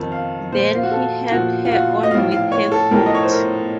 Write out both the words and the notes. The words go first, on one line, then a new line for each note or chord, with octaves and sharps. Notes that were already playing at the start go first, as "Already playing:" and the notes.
Then he helped her on with her coat.
Already playing: F2 D#3 A5
F5
A#2 F3 C5
F4
F#4
A4
A#2 F3 F#4
F4
F#4
D#5
A2 F3 F5
F5
C#5
A4
A2 F3 A#4
D#5
C#5
C5
A#4